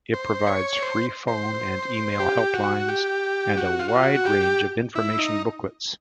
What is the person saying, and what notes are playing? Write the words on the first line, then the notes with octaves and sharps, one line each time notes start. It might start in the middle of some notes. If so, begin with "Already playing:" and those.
It provides freephone and email helplines and a wide range of information booklets.
C5
C#5
C5
C5
G4
F#4
G4
F#4
F4
F#4
F4
F#4
G4
E4
D#4